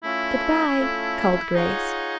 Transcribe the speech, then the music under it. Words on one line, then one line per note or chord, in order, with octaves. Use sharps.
"Good-bye," called Grace.
A3 C#4 E4 F4 A4
A3 C#4 F4 A4
D#4 F4 G#4 C#5 F#5